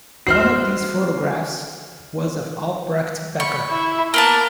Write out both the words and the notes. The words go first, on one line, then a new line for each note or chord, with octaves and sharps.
One of these photographs was of Albrecht Becker.
F#4 C5 E5 F6 C7
B5 C#6
E4
A#3 B3 A#4 A5